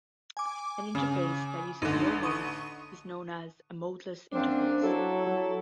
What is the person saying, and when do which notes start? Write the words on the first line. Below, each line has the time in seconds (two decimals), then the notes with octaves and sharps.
An interface that uses no modes is known as a modeless interface.
0.37 G#5 D6
0.95 C#3
1.82 A1 D3 D#4 C6
2.23 C#6 D#6 D#7
4.32 F#2 A#3 C4 D4
4.82 F#3 E4 A4
5.26 F#3